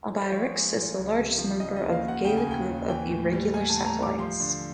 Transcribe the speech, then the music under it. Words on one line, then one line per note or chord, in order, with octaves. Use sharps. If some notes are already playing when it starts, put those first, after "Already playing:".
Albiorix is the largest member of the Gallic group of irregular satellites.
C5
F3 C#5
G#3
G#3
C#2
C3
F3
C#3 D#5
D#5
D#2
F5
D#2
F#5
C#3 G5
G#5
D#2 G5
D#2
E3 G5
A2
G3
G3 G#5
A5
A2
A#5
G3
D6
F3 C6
D3